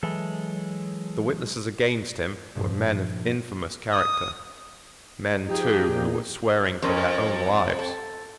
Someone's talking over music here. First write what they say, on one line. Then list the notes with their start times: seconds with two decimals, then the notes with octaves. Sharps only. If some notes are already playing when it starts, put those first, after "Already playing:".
The witnesses against him were men of infamous character, men, too, who were swearing for their own lives.
0.03 E3 F#3 G#3 A4
2.55 G2 A#2 F3
3.92 D#6
5.47 F3 D#4 G4 G#4 G5
5.89 A#2
6.82 F2 C#4 A#4 C5
7.79 A4